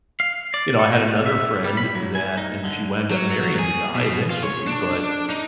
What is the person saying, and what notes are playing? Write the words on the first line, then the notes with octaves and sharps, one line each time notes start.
you know, I had another friend that and she wound up marrying the guy eventually, but
F5
D5
A4
B2
E5
G3
B5
F#3
G#5
D#4
D3
F#3
G#4
B2
F4
C#5
D4
D#4